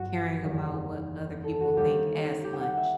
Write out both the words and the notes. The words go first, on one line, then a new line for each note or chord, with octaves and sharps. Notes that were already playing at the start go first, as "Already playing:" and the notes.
caring about what other people think as much.
Already playing: G1 G2 F#3 F#4
F#1 E2 D#3 G3
A4
F#4
D#2 D#3 G3 G4
G4
G5
F#5
E5